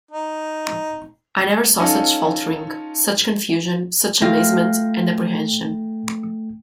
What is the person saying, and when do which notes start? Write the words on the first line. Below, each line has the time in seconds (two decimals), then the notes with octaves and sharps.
I never saw such faltering, such confusion, such amazement and apprehension.
0.11 D#4
1.80 C#4 D#4 F4 A4
4.22 A3 F4 G5 A#6